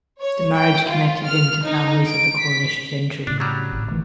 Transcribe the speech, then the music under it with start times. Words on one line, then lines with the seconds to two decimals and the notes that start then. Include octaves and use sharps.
The marriage connected him to families of the Cornish gentry.
0.20 C#5
0.55 G5
0.87 F4
1.25 F6
1.64 D#4
2.07 D7
2.42 B6
3.27 A2 C#3 D4
3.40 F#3 G3
3.72 G#1 A2
3.91 D#3 E3 A3